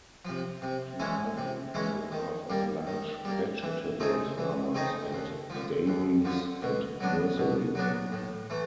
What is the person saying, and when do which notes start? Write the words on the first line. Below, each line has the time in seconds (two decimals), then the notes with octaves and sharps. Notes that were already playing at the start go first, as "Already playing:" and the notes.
He argued on behalf of large vegetable farmers and dairies and nurserymen.
0.25 C3 F3
0.62 C3
0.99 E3 G#3 C#4 E4
1.37 C3
1.74 E3 G#3 C#4 E4
2.12 D#3
2.50 G3 A#3
2.87 D#3
3.25 G3 A#3
3.63 E3
4.00 A3 C4 D#4 G#4
4.38 E3
4.75 A3 C4 D#4 G#4
5.13 D#2
5.50 D3 F3
5.87 D#2
6.25 D3 F3
6.62 B2
7.00 F#3 B3 D4
7.38 B2
7.75 F#3 B3 D4
8.12 A2
8.50 E3 A3